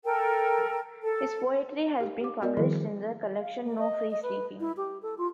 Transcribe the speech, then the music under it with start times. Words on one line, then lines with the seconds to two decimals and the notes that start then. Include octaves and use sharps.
His poetry has been published in the collection "No Free Sleeping".
0.04 A4 A#4 G5
1.03 A4
2.00 G4 F5
2.21 G4 D6
2.42 B3 F#4 A#4 D5 D#5
2.57 D#3 F3 G3 E4 G#4 D#5
3.39 F5
3.64 A#3
3.78 D#5
4.10 D#5
4.22 B4
4.60 E4
4.76 G4
5.02 A4
5.17 F4